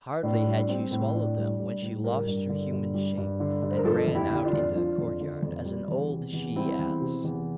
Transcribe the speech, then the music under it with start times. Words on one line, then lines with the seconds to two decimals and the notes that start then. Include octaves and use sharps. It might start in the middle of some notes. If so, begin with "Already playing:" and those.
Hardly had she swallowed them, when she lost her human shape, and ran out into the courtyard, as an old she-ass.
0.23 A2 D4
0.47 G3
0.57 D4
0.68 G3 C4
0.91 A2
1.14 A2 D4
1.37 G3
1.59 G3
1.82 A2
2.04 G3 G4 A#4
2.26 G2
2.49 D3
2.72 G2
2.94 G3
3.17 G2
3.40 D3
3.62 G2
3.70 C5
3.77 A#4
3.84 F3 F4 A4
4.07 F2
4.15 E4 G4
4.30 D3 G4
4.45 D4 F4
4.53 F2
4.75 F3 D4 F4
4.98 F2
5.21 D3
5.42 F2
5.65 G3
5.88 E2
6.11 C3
6.33 E2
6.56 G3 C4 E4
6.79 E2
7.01 C3
7.24 E2